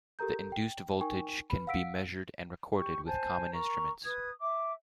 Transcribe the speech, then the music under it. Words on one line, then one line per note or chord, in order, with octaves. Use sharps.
The induced voltage can be measured and recorded with common instruments.
G4 A4 A#4 A#5 G6
G5
D#4 A#4 G5 G#5 C#6
B4 B5
F5 F#5 E6 B6 D7
G4 C#6
C5 G#5 A5
A#4 A#5 C#6
B4 D#6 G#6
E5 D6